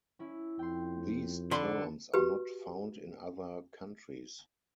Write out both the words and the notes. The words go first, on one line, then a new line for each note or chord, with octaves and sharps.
These terms are not found in other countries.
C#4 E4
F2 G5 C6
D3 A4 A5 B5 C6
F#4 G4 B4